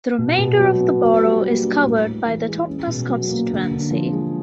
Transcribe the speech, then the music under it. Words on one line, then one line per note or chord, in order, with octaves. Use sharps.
The remainder of the borough is covered by the Totnes constituency.
B2
B2
F#3
B3
F#4
G3
A#3
D4
A2
A2
E3
G#3
C#4
B2
F#3
A#3
D3
D3
F3
G#3